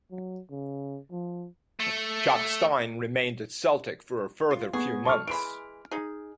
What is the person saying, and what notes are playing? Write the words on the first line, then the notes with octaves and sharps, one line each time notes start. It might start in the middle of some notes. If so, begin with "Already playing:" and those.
Jock Stein remained at Celtic for a further few months.
F#3
C#3
F3
A3
F4
B3 G#4 C#6
A5 C#6 F6
E3 G#3 B5 D7
D#4 G#4